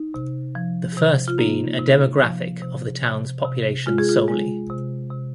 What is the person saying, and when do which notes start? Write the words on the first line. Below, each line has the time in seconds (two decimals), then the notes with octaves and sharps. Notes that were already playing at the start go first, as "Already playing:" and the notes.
The first being a demographic of the town's population solely.
Already playing: D#4
0.14 C3
0.55 F3
0.97 C3
1.28 F4
1.38 A#3 D#4
1.79 C3
2.21 F3
2.62 C3
3.04 C3
3.44 C3
3.86 G#3 F4
3.98 G#4
4.09 F4
4.28 G#3
4.70 C3
5.10 C3